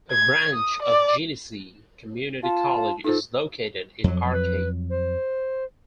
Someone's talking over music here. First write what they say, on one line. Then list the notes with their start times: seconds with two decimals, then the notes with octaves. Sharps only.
A branch of Genesee Community College is located in Arcade.
0.11 G#6
0.53 D#6
0.82 D5
2.44 F4 A5
3.04 D#4 F4 A4 C5
4.04 F2 F#3
4.32 B4
4.90 C5